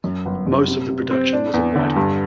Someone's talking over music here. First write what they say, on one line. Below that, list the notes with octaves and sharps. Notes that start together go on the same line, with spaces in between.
Most of the production was of white wine.
F#2
G1
F#2
C3
C3
C4
D4
E2
D3
G2